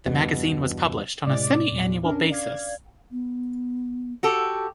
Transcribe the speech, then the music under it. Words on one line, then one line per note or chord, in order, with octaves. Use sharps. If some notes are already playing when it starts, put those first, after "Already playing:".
The magazine was published on a semi-annual basis.
E2 G2 B2
A2 C3 G#3 D5 D6
E2 A#2
C#4 D4 A#4
D5 F5 G#6
B3
F#4 G4 A4